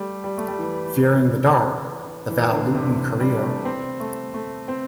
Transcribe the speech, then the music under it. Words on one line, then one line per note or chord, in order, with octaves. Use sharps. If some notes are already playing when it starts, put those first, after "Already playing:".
"Fearing the Dark: The Val Lewton Career".
Already playing: G3 A3
G3
A3
G3
E3
E3
D3
C3
G3
A3
C4
A3
A3
C4